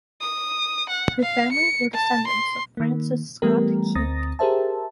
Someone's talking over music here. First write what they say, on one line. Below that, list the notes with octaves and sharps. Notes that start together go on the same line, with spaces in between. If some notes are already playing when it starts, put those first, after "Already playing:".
Her family were descendants of Francis Scott Key.
D#6
F#5
F5
C#7
A5
C6
D#3 A#3
E3 G3 A3 B3 G4 A#4
D2 C4 A#5 D#6 A6 A#6
G4 G#4 A#4 C5 E5 A5